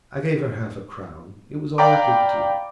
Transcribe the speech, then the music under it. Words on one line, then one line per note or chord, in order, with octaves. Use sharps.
I gave her half-a-crown; it was all I could do.
D5 F5 G5 A#5 B5 D6